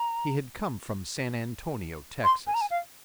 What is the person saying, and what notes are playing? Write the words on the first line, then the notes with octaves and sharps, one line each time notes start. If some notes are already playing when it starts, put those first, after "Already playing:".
He had come from San Antonio, Texas.
Already playing: A#5
C6
G#5
A#5
G#5
F5